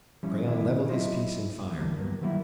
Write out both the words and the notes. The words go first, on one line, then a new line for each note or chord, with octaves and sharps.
Crayon leveled his piece and fired.
F3 G3 C#4 E4
A#2 D#3 B3 D4 E4
F#3 D4 E4 F4 C5 D#5
D3 E3 G3 A#3
G2 F#3 A#3 B3
D#3 F#3 G3 A#3 E4